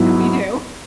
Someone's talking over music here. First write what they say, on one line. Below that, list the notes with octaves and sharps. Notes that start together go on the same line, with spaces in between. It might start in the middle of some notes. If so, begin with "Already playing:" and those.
And we do.
Already playing: G#2 F#3 B3 E4